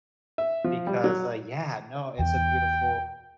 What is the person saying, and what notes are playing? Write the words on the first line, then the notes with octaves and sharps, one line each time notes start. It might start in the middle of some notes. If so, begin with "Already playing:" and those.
because, uh, yeah, no, it's a beautiful
E5
F3
G3
F#3
E2 G5